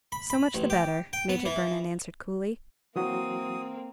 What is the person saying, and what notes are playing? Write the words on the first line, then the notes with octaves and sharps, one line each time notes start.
"So much the better," Major Vernon answered, coolly.
B5
B5
A1
G4
G5
B3
E3
E3 F#3 A#3 C4 F#4 D#6